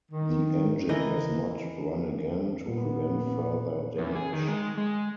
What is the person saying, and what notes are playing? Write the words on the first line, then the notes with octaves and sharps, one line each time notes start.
The engine was not run again to prevent further damage.
D#3
E3 A#4 D#5
A#2 B3
E2
G#4
D#3
G#3
G#3